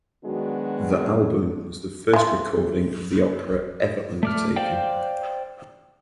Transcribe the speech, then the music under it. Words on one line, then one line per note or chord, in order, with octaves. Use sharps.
The album was the first recording of the opera ever undertaken.
D#3 F#3 G#3 B3 D4 F#4
E3 F4
A3 D5 F6
C5 D5 F5 G5